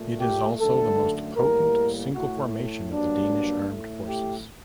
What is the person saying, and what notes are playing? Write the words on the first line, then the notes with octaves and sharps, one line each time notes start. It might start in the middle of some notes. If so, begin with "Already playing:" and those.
It is also the most potent single formation of the Danish armed forces.
Already playing: A#2 A3
G4
F#2 D3 A3 A4
A2 G3 A#3 A#4
A2 A3 F#4
G2 F#3 A#3 D4
A2 A3
G4